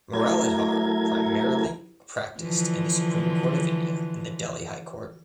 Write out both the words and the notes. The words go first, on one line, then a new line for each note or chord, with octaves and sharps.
Muralidhar primarily practiced in the Supreme Court of India and the Delhi High Court.
F#3 A3 E4 A#4 G#6
D3 E3 F3